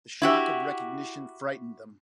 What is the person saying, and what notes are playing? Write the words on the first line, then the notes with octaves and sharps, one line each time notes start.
The shock of recognition frightened them.
E4 F#4 G4